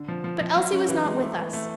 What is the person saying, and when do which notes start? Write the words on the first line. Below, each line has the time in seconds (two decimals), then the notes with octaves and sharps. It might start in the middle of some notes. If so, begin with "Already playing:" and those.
But Elsie was not with us.
Already playing: D3
0.08 F3
0.24 F3
0.41 F3
0.56 F#3
0.72 C#4
0.88 E3
1.04 G#3
1.21 A3
1.38 E3
1.53 A3